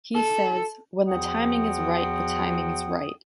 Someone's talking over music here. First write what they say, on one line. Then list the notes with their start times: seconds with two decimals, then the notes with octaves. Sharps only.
He says, "When the timing is right the timing is right.".
0.14 A4
1.08 E2 F3 F#4 F#5 G5 D#6